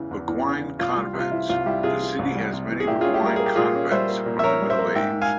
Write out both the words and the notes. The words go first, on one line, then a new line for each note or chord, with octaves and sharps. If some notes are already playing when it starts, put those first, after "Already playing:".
Beguine convents : the city has many beguine convents from the Middle-Age.
Already playing: E2 C#3 E3
E2
E2
C#3
E3
C2 F4
G3 F4
C3
F4
E3 E4
C2 F4
G3 E4 G4
C3 F4 G#4
E3
C2
G3
C3
E3
G#4
A#2 E4 G4
C#4 F4 G#4
E4 G4
G3 A#4
A#3 G#4
G4
A#2 F4 G#4
C#4
G3 C5 E5
A#3
A#2
E5
C#4 A#4 C#5
G3
C5 E5
A#3
G#2 E5 G5
G#2
F5 G#5